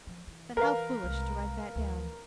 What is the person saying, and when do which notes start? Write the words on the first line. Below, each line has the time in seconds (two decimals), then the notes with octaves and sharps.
But how foolish to write that down!
0.07 F3
0.27 E3
0.57 E3 A#4 B4 F5
1.04 C2 G#3
1.75 D2 E3